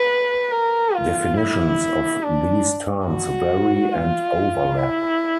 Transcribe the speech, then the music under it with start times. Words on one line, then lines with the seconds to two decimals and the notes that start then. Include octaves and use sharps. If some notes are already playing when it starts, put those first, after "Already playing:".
Definitions of these terms vary and overlap.
Already playing: B4
0.51 A#4
0.95 F4
1.38 E4
2.23 D4
3.07 F#4
3.93 F4
4.78 E4